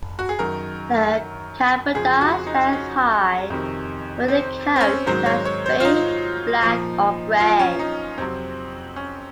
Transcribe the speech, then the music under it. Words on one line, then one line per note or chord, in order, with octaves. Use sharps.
The Kabarda stands high, with a coat that is bay, black, or gray.
F#4
G#4
F#2 D#3 F#3 A#4
F2 C#3 F3 G#4
F#4
D#4
C#4
F2 C3 D#3
C4
C4
C#4
G#2 D#3 F#3 C5
C#5
C#5
C5
F4
D#4
A#2 F3
F4
C#4
D#4
F2 C3 F#3 C4
C#4